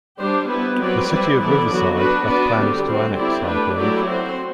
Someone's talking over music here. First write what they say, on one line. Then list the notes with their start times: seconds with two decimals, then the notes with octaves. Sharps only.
The City of Riverside has plans to annex Highgrove.
0.20 G3 D4 G4 C5
0.49 B3 E4 B4
0.79 F#3 C4 G4 B4 D5
1.08 G3 C4 E4 B4 D5
1.38 E3 B3 E4 A4 D5
1.68 D3 F#3 B3 F#4
1.98 B3 D4 F#4 B4
2.27 B3 D4 F#4 B4 D5
2.57 D3 G3 C4 G4
2.86 C4 F#4 C5
3.16 C4 E4 G4 D5
3.46 A3 D4 G4 B4
3.76 F#3 A3 E4 G4 D5
4.06 C4 F#4 C5